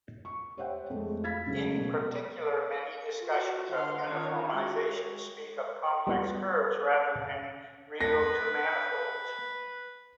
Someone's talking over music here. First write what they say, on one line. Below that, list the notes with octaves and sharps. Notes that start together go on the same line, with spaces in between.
In particular, many discussions of uniformization speak of complex curves rather than real two-manifolds.
C#6
G4 C5 C#5 E5 F#5 G5
F2 G#3 A3
F5 B5 G#6 A6 B6
C#3 F#3 G#3 A3
B2
F4 F#4
D3 F5 F#5 C6
D#3 C#4 D4 F4 A#4 C#5
G#3 F#4 G4 C#5
G3 B3 F4 F#4
B4 A#6